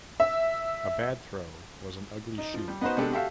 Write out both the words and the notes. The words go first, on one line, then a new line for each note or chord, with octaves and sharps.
A bad throw was an "Ugly Shoe".
E5
D#4
F3
G3
B3 D#4 F#4 B4 C5
C3 G#3 B3 D4 G4 A4
F#4 G4 A4 E5 F5